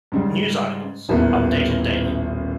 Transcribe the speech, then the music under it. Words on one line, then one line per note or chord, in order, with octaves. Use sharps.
News articles, updated daily.
G#2 C#3 G3
D#1 A1 A2 A#3 B3